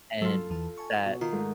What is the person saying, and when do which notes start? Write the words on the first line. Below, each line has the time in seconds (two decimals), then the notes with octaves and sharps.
And, that
0.21 F#3 F4 A4
0.50 E2 E3 A5
0.78 G#5 A5 C#6
1.05 B2
1.21 D#3 F4
1.33 G#2 A3